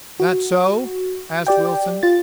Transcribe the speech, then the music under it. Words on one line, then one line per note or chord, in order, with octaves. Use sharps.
"That so?" asked Wilson.
F#4
G4 D5 G5
F4 A6